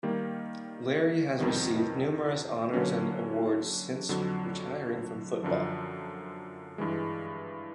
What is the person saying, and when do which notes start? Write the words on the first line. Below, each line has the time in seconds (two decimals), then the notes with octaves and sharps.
Lary has received numerous honors and awards since retiring from football.
0.03 D#3 G3 A#3
1.39 F2 C3 D#3 G3 B3
2.73 D3 F#3 A#3 C#4
4.09 F2 D3 F#3
5.43 F#2 D3 F3
6.78 G2 E3 G#3